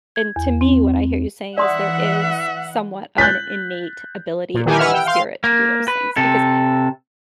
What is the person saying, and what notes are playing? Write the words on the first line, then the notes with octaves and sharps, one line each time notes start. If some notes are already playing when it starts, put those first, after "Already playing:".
and to me, what I hear you saying is, there is somewhat of an innate ability in your spirit to do those things, because,
G#6
E2
C4
E3 D5 E5 F#5 C6 D#6
F#6 G6 A6 B6
A#2
D#3 E3 G4 G#5
B4 E5 F#5 E6 F6
G5
F5 C6
A#3
B4
C3 A4